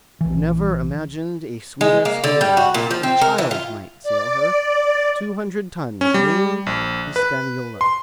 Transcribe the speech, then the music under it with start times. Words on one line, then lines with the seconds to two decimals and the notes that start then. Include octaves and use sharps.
You never imagined a sweeter schooner--a child might sail her--two hundred tons; name, HISPANIOLA.
0.21 A#1 E3
1.81 G#3
2.05 A#3
2.24 D3
2.41 G3
2.57 F#4
2.74 A#2
2.91 F3
3.03 C4
3.21 A#4
3.38 E3
3.51 F4
4.03 D5
6.01 C#4
6.14 G3
6.66 A#1
7.16 B4
7.81 C6